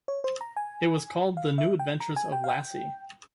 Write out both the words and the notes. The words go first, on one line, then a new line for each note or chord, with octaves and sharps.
It was called "The New Adventures of Lassie".
C#5
C5
A#5
G#5
F5
E5
G5
A#5
G#5
G5
F5
G5